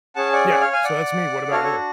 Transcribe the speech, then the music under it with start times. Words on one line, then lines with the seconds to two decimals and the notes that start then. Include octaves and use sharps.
yeah. So, that's me, what about you?
0.16 C#4 G#4 F#5 A5
0.33 D5 F#5
0.50 D5 F#5
0.61 C#5 F5
0.73 F5 G#5
0.85 D5 F#5
1.45 F#5
1.52 D4 F#4 A4 C#5 F5
1.64 A4 C#5